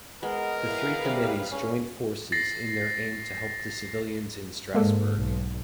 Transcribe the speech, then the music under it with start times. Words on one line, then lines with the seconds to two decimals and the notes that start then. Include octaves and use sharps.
The three committees joined forces in their aim to help the civilians in Strassburg.
0.23 G#3 B3 A#4
0.68 E2 G#4 B4 F5
1.05 C3 G3
1.52 C#4
2.32 A6 A#6 C7
4.75 G#2 G#3 A#3 A4
5.15 B1